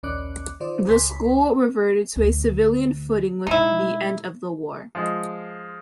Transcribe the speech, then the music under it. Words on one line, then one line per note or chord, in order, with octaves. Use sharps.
The school reverted to a civilian footing with the end of the war.
A#1 D#2 C#4 D5 D6 F#6
D#3 F4 C5 D5
C#2 G#5 C6 B6
D2
B2 G#3 D#4 E4
F3 G#3